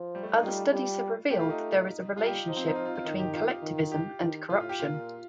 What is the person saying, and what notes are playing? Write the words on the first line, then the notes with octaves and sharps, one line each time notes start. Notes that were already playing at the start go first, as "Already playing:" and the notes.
Other studies have revealed that there is a relationship between collectivism and corruption.
Already playing: F3
G3
A3
D#4
G3 F4
G3
A3 G4
F4
D#4
G3 F4
G4
F3 D#4
C4
D#4
F4
F4
F4
D#3 D#4
G4
F4
D#3
G4
D#3
A2 F4
F4
G4
A#2 F4